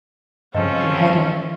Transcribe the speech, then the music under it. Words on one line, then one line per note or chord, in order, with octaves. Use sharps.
Keep your head up.
G2 C#3 F3 C4 C#4 F4 A4 D#5